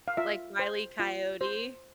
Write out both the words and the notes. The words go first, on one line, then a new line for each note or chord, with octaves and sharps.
Like, Wile E. Coyote?
F5
F4 E5
C5
F4
C5